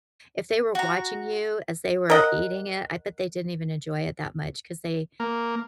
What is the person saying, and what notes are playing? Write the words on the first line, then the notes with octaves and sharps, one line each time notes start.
if they were watching you as they were eating it, I bet they didn't even enjoy it that much, 'cause they
F#4 A#5
A#4 D#5 F#5
A#3